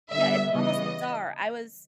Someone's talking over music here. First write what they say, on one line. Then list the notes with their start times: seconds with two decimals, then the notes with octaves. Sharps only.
Yeah, it's almost bizarre, I was
0.12 D3 G3 B3 E5
0.52 C#3 E3 G3 B3 D#5